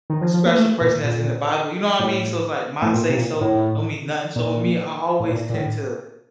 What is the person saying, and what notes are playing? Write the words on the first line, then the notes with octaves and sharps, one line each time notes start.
special person that's in The Bible. You know what I mean? So it's like my say so don't mean nothing. So with me, I always tend to
D#3
F3
F3
A#3
A3
A#2
A#2
A2
A2
A#2
C3
A#2
A2
A#2
A2
A#2
A#2
A2